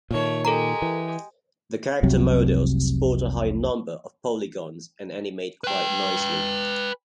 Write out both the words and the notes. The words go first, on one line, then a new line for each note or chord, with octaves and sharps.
The character models sport a high number of polygons and animate quite nicely.
A#2 D#3 A3 C#5
G#3 G4 A4 A#4 A#5
E3
F1 C2 C3 F#3
B4 G5